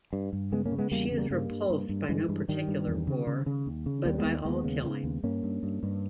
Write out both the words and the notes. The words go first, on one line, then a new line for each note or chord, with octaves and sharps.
She is repulsed by no particular war, but by all killing.
G2
G2
C#3 G#3 B3
A#3 C#4
C#3
G#3 B3
E2 G3 A#3
C#3 B3
G3 A#3
G2 G3 A#3
G2
G2
G2
G2 E3 G#3
G2
G2 D#3 G3
G2
E2
C#3
C#3
C#3
D#2
C#3
D#2 G3 A#3
C#4
G#3 B3
D#2
D#2 G#3 B3
C#3
C#3
D#2
G2 A#3 C#4
G2
G2
G2